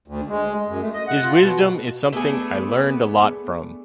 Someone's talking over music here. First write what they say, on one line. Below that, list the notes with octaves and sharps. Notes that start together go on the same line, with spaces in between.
His wisdom is something I learned a lot from.
D2
G#3
F#2
A3
D#5
F#5
F4
B2
A3 B3 D4 G#4